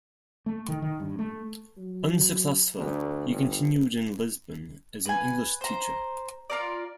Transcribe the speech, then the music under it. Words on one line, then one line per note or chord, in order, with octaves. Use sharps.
Unsuccessful, he continued in Lisbon as an English teacher.
A3
D#3
D#3
G2
A3
F#3
D2
G1
B4 G#5
C5 A#5
F4 A#4 D5